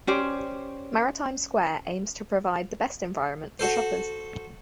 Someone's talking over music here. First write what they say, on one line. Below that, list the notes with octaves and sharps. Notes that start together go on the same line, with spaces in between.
Maritime Square aims to provide the best environment for shoppers.
C#4 G4 C5 D5
F#4 A4 C5